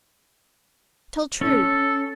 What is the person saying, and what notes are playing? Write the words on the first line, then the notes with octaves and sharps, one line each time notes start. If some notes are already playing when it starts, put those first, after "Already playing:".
Tell true.'
C#4 A4